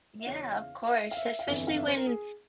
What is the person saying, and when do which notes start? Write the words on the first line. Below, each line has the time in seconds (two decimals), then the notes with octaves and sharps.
Yeah, of course, especially when
0.19 E5
0.26 E2 C#3 E3 C#5
0.52 E5
0.56 F5
0.86 E5
1.11 F5
1.17 E5
1.39 F5
1.47 G1 F2 E3 E5
1.67 F5
1.76 E5
1.88 C5
1.97 A#4
2.07 G#4